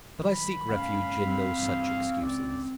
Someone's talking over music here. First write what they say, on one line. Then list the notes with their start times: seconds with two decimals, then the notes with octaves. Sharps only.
But I seek refuge in no such excuses.
0.19 D#3 F#3 G3 B5
0.70 F#1 G#2 B3 C#4 F5
1.23 C4
1.59 G2 C3 E3
2.22 C#2 C#4 D5